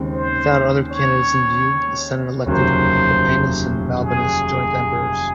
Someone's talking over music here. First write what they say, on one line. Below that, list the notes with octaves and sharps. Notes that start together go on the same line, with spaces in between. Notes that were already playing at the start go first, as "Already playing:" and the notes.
Without other candidates in view, the senate elected Pupienus and Balbinus joint emperors.
Already playing: D#2 C#3 G#3 C4
C5
C#5
F1 D#2 C#3 F#3 A#3 C5
G#4